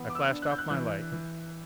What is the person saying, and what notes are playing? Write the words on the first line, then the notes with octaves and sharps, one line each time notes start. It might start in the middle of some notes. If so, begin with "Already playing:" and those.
I flashed off my light.
Already playing: E3 B3
D6
E6
D4
F#6
G6
F#6
E3 F#6
E3